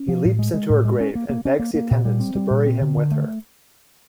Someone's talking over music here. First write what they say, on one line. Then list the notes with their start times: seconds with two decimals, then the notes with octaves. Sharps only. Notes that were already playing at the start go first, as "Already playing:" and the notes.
He leaps into her grave and begs the attendants to bury him with her.
Already playing: C#4
0.08 F3
0.25 A2
0.39 G#3
0.54 G#3
0.70 A2
0.85 G#3
1.00 C#4
1.15 A#3
1.30 A#3
1.45 C#4
1.60 A#3
1.75 A#3
1.91 A#2
2.05 G3
2.20 C4
2.35 G3
2.50 A#2
2.66 C4
2.81 D3
2.97 D3
3.11 A3